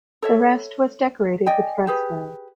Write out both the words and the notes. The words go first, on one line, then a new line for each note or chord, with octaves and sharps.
The rest was decorated with frescos.
A4 C#5 E5
D5 D#5 G5 G#5
G4 G#4 B4